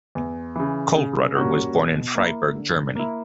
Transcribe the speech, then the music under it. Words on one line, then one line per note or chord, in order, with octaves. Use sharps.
Koellreutter was born in Freiburg, Germany.
E2
C#3 E3
C#3
G3 A#3 C#4 F#4
B2
A#3 E4
D3
A#3 E4